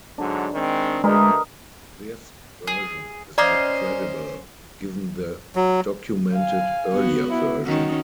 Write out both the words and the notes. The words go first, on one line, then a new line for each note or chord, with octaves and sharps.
This version is not credible, given the documented earlier version.
G#2 D3 F#3 D4
D#3 G#3 C4
D2 G#3 A#4 B4 D#5
G#4
C#4 C5 D5 D#5 F5 G#5 A#5 D6
F#3
F5 G#5
B3 F#4
E4
D#3 C#4 D#4 F#4